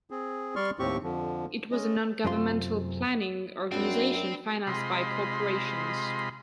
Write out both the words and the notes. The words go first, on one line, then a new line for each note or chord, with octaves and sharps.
It was a non-governmental planning organisation financed by corporations.
C4 G#4
G3 D5 C6 C#6 F6
D#2 A2 C4 G4 C#6
F2 D3 F3
G#3 C#4 D#5
F#2 C3 C4 F4 C6
F#2 C4 D4 F#4 B4 G5
C3 G#3 F4 D#5 B5 C6